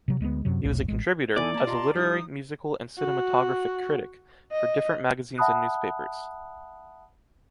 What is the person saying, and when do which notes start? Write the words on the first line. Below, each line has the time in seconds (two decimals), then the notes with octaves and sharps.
He was a contributor, as a literary, musical and cinematographic critic, for different magazines and newspapers.
0.08 C3 F#3
0.21 D2 G#3 A#3 B3
0.45 F#2 C3 F#3
0.63 F1 B1 A2
0.88 A1 G#3
1.36 E3 B3 D#4 E4 A4 D5 G#5
1.54 A#3 A5 A#5
1.67 F4 G4 D#5 A5 A#5 C6
1.95 G3 D#4 E4 D#6
2.99 F#4
4.52 D#5
5.38 E5 F#5 A5 B5 D#6 F#6